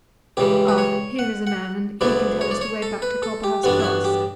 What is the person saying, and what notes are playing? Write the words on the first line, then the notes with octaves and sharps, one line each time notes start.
Ah;--here is a man, and he can tell us the way back to Copperhouse Cross.
C#2 C#3 E3 G3 G4
B4
C#5
F#5
F#5
D2 C#3 F#3 B3 E4 D5
C#5
D5
C#5
A4
B4
A4
G4
A1 G2 F#3 B3 D4 F#4
E4
F#4
G4